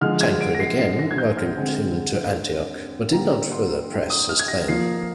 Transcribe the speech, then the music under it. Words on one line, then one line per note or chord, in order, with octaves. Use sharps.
Tancred again welcomed him to Antioch but did not further press his claim.
D3 F3 G#3 F6
G#6
D7
A#6
C7
C7
A#6
G#6
G6
F6
D3 G#3 C4
D3 G3 A#3 A#5
C6
D#6
F6
G#6
A#6
F3 A#3 F4 C7